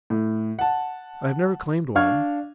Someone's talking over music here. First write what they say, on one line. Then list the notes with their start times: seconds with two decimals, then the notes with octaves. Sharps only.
I have never claimed one.
0.10 A2
0.59 F#5 A5
1.95 D4 F5 C#6 F6 G#6